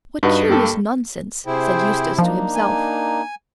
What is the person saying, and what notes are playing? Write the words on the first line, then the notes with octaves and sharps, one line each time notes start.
"What curious nonsense!" said Eustace to himself.
G2 D#4 F#4 B4
A#3 G4 A4
C3 E4 G#4 C5 G5
F3 A#3 D4 D#4
G#5